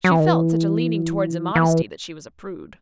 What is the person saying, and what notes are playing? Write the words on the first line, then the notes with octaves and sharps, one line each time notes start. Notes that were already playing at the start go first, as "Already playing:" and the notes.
She felt such a leaning towards immodesty that she was a prude.
F#3
E3
D#3
E3
E3